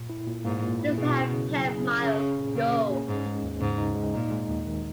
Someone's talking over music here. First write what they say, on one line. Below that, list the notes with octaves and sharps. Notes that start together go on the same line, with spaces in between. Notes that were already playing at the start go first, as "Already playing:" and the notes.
We still have ten miles to go.
Already playing: A#2
E4
A#2
G#2 A#3
A#2
E4
B2 G#4
C#4
C#3
F#3
G#4
C#4
C#3 G#4
C#4
A#2
C#3 A#3
G#4
C#4
G#2 D#4
G#3
D#2
G#2 C#3
D#4
G#3
A#2 D#4
G#3
D#2
D#3